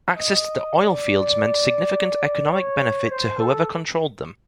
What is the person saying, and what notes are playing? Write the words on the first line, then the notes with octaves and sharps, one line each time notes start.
Access to the oil fields meant significant economic benefit to whoever controlled them.
D#5
D5
C#5
C5
A4